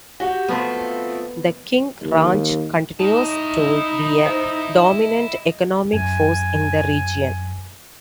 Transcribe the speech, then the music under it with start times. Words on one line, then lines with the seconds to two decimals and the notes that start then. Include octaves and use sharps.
The King Ranch continues to be a dominant economic force in the region.
0.20 F#4 G4
0.48 F3 A3 B3 C4
2.01 D#2
3.00 D#4 E4 D#5 A5
4.26 C5
5.93 F#2 G#5